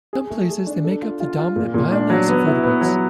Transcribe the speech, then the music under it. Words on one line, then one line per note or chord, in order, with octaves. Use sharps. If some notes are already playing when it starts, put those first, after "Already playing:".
In some places, they make up the dominant biomass of vertebrates.
G#4
A3
G#4
D4
A4
F4
F4
F4
A#2
A#2
D4
F#3
B3
E4
B3
F#3